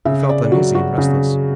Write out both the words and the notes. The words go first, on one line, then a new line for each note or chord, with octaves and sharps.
He felt uneasy and restless.
C#3 E5
D5
F#3 F#4
F#4
C#3